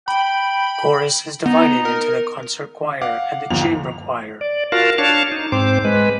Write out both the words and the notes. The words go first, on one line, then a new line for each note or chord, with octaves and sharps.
Chorus is divided into the concert choir and the chamber choir.
G5 B5
B3 D#4
A#4
F5 F#5 D6
G1 D#2 F3 F7
D5
F4 F#4 A#4 F5 A5
D4 C#5 F5 A5
D#4
G#2 C4 C5 D6
G#3 B4